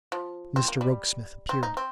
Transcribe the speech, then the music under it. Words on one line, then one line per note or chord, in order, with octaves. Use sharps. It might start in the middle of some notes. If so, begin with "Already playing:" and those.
Mr Rokesmith appeared.
F3
C4
A#3
G3
C4
D#4
C4